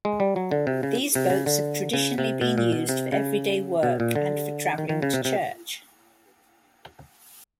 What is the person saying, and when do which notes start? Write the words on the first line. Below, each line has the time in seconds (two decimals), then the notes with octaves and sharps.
These boats have traditionally been used for everyday work and for traveling to church.
0.05 G#3
0.20 G3
0.36 F#3
0.51 D3
0.67 C3
0.83 C#3
1.15 C3
1.30 C#3
1.46 D3
1.93 C#3
2.18 C3
2.41 B2
2.58 A#2
2.72 B2
2.89 C3
3.12 C#3
3.83 B2
4.00 A#2
4.15 D3
4.78 D#3
4.89 D#3
5.02 C#3
5.14 C3
5.25 C3